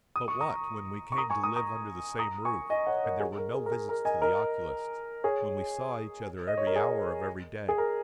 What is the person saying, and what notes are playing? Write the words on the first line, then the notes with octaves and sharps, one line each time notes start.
But what when we came to live under the same roof, and there were no visits to the oculist, when we saw each other every hour of every day?
D#6
C#6
A#5 D#6
C#6
A#5 D#6
G#5 C#6
A#5 D#6
A#5 D#6
A#5 D#6
G#5 C#6
D#5 G#5
C#5 F#5
A#4 D#5
G#4
A#4
G#4
A#4
G#4
A#4
D#5 G#5
A#4 D#5
G#4 C#5
D#5
C#5
A#4
G#4
G#4
A#4